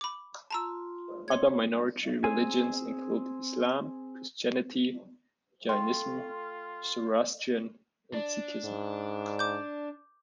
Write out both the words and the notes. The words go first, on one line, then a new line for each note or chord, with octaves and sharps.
Other minority religions include Islam, Christianity, Jainism, Zoroastrian, and Sikhism.
B5 D6
F4 A5 A#5 C6 E6
C#5 C6 G#6
C4 G#4 G#5
A3 F4 G5 C6
D4
G#2
D6 G6